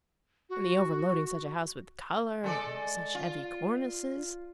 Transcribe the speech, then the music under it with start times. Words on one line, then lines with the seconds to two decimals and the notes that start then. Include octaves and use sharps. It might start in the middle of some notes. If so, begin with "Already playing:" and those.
And the overloading such a house with colour and such heavy cornices!'
0.49 F#4
2.44 G#3 A4 D5
3.15 F4